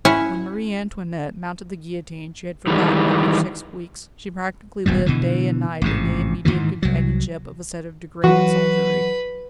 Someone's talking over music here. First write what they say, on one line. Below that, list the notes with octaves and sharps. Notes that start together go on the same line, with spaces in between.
When Marie Antoinette mounted the guillotine she had forgotten that for six weeks she practically lived day and night in the immediate companionship of a set of degraded soldiery.
C#4 E4 F#5 G#5
D#3 E3 G3 G#3
D#1 B1 F#2 G3
B2 D3 E3
A1 G#2 C3
G#2 B2 D#3 E3
C2 F#3
E3 F#3 F#4 B4